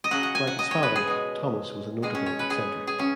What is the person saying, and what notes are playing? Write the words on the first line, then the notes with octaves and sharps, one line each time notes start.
Like his father, Thomas was a notable eccentric.
D#5
C#3 F#3 F#5
F#5
G#5
F#5
D#5
C#5
B4
G#4
B2 G#3
B2 G#3 G#4
C#4
C#5
B4
G#4
G#4
C#3 C#4